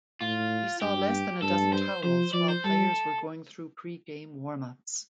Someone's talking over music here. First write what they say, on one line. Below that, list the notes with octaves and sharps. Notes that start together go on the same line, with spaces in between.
He saw less than a dozen towels while players were going through pre-game warm-ups.
A2 F4
G2 G4
G2 A4
C5
F3 C5
F3 D5
C5
G3 A4